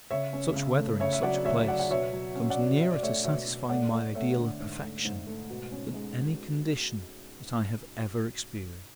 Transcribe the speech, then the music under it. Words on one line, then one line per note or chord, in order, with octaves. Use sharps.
Such weather in such a place comes nearer to satisfying my ideal of perfection than any condition that I have ever experienced.
C#3 C#5 E5
C#4
C#3
A3
C#3 C#5 E5
E5
F#3 D5 F#5
D2 C#5 E5
F#3 D5 F#5
F#5
B2 C#5 E5
F#3
C#4
D5 F#5
B2
B2 E5
D5
A3 C#5 E5
B2 C#5 E5
B2
A3 D5 F#5
A3
A3 C#5 E5
D3
G#2
A3
G#2
A3
B2
C#4
G#3